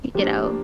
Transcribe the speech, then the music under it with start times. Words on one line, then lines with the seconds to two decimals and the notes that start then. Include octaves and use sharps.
you know,
0.15 F3 A#3 D4 G4